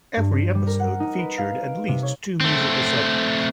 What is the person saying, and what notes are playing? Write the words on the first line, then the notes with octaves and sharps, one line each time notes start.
Every episode featured at least two musical segments.
G2
C5
G3
A#4
F#5
D#4
B4
F5
D7
C3
C#5
A3 C4